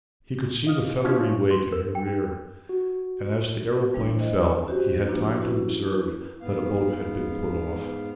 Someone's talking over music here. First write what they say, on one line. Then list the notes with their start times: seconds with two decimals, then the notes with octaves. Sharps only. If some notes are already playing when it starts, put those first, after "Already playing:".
He could see the feathery wake in her rear, and as the aeroplane fell he had time to observe that a boat had been put off.
0.66 D#5 F5
1.04 F3 C#4 D4 F4 E5
1.51 C6
1.72 A#4
1.95 G5
2.69 F#4
3.94 E3 G3 A3 D4 E4
4.16 C5 D#5
4.67 C#4 F#4 G4 C5
5.08 F3 A#3 D4 E4 F4
5.41 C#4 E4 F#4 B4
5.86 D4 E4 B4
6.41 G#2 B3 F5